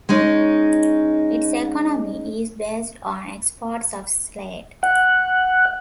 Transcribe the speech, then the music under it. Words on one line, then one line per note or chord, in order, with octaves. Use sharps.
Its economy is based on exports of slate.
G#3 C#4 D#4
F#5